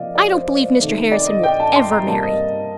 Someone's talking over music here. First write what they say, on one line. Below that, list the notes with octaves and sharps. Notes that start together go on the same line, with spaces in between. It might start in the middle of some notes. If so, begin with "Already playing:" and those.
I don't believe Mr. Harrison will ever marry.
Already playing: C3 F3 A#3 D5 D#5 F5
D5
C5
C3 D#3 A3
D5
D#5
G5
A5
C6
A#5
C3 G3 A#3 A5
D#5